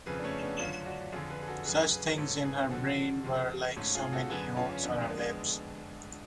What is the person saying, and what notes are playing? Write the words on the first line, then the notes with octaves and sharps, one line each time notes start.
Such things in her brain were like so many oaths on her lips.
F2 C#3 G#4 B4
D4
A3 C#4
B3 D4
F#2 D3 C#4 F4
D4 F#4
F2 D3 F4 G#4
G#4 B4
G#4
F#4 A4
F#2 C#3 G#4 B4
G#4 B4
G#2 A4 C#5
G#4 B4
F2 D3 F#4 A4
F2 C#3
G#2 A3 C#4
F4 G#4
F#4 A4
F#2 D3 G#4 B4
C#4 F4
C#4
F2 D3 B3 D4
G#3 B3
G#3 B3